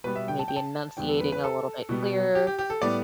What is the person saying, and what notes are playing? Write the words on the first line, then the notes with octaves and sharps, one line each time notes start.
maybe enunciating a little bit clearer,
B2 G3 B3 B4
E5
G5
A5
G5
A5
E2 D3 G3 B3 G5
A4
B4
B4
A4
B2 G3 B3
G4
G4
G4
A4
A2 G3 B3 D5